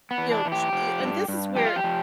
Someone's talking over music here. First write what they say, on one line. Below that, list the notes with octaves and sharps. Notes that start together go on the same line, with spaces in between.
you know, t and this is where,
B3
E3
D4
E3
G4
F3
G2
G2
F3 G4
F4
G4
F3